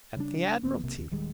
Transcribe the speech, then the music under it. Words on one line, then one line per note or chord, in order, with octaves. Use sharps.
"At the Admiralty."
C#3 G3 G#3 D4
D#1 D#2 B3
B1 C3 A#3
D#2
D#1 D#3 G3 G#3